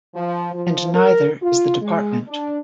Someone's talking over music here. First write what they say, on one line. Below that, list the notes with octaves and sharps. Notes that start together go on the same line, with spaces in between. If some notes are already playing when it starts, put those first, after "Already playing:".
And neither is the department.
F3
F3
A#4
F4
G#3
D4